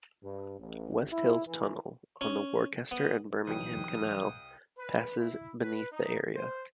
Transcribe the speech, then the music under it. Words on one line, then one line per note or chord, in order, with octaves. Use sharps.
Wast Hills Tunnel, on the Worcester and Birmingham Canal, passes beneath the area.
G2
A1
E4
E3
C#4
B3
C2 E3 F#3 D#4 G5 D#6
B4
E4
B4
D#4
C5